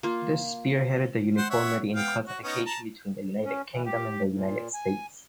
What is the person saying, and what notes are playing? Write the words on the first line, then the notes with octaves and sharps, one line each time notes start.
This spearheaded the uniformity in classification between the United Kingdom and the United States.
A#3 F4
C5 F#5
C#5 E5 F#5
B3 F5 G5
F#4
B3 C#4 D#4
A5 A#5
C#4
E3
G4
A#2
G#5